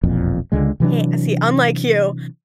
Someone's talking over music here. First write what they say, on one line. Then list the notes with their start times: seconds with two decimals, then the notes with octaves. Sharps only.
ha see, unlike you,
0.03 E1 A#1 F2 A#2
0.52 C#2 D3 G#3
0.80 C3 E3 F#3 D4